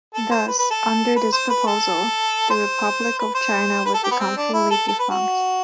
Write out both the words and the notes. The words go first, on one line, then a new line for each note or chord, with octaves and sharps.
Thus, under this proposal, the Republic of China would become fully defunct.
A4
C5
B4
B4
A4
B4
C5
B4
A4
C5
B4
C5
B4
A4
G4
B3
C4
D4
E4
A4
A4
B4
F#4